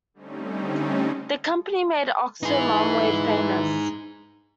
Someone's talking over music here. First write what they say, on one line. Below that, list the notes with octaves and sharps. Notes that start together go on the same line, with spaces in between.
The company made "Oxford Marmalade" famous.
D3 G3 A3 C4 C#4 D#4
E3 D#4 G#4